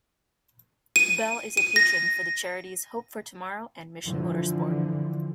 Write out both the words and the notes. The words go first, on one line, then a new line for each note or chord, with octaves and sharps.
Bell is a patron for the charities Hope for Tomorrow and Mission Motorsport.
D#7
D#7
A#6
D3 E3 F3